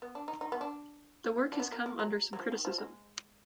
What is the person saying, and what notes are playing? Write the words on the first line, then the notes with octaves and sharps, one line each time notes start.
The work has come under some criticism.
B3
D4
D#4
D#4
B3
D4
D4
B3
A#3
A#3
F#3
F#3
F3
D#3
F3
G#3